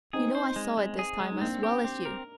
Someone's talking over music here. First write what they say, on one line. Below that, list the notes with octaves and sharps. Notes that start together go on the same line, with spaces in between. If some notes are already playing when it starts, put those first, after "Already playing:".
You know I saw it this time as well as you.
C4 D#4 G#4
C5
G#3
G#3
G#4
G#3
D#4
A#3 C4 D4
G4
C4
A#4